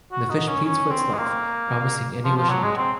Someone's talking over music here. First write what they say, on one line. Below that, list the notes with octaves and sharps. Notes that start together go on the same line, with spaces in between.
The fish pleads for its life, promising any wish in return.
F#4
D#4
C#4
C#4
C4
G#3
A#3
F3
F3
F#3
G#3
C4